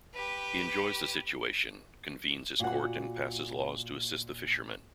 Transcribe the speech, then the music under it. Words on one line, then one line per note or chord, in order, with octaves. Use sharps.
He enjoys the situation, convenes his court and passes laws to assist the fishermen.
G4 B4
A#2 F#4 F#5